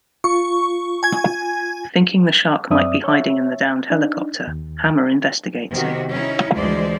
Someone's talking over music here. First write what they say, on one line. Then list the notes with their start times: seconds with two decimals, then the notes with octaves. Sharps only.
Thinking the shark might be hiding in the downed helicopter, Hammer investigates it.
0.24 F4 C#6
1.03 G#5 G#6
2.70 F#2 C4 D5 E5 D#6
3.04 C#5 E5
3.90 D4 D#4
4.47 D#2
5.72 C3 D#3 B3 F#4
6.12 C#4 D#4 E4
6.56 D2 E3 F3 G#3 C5 D5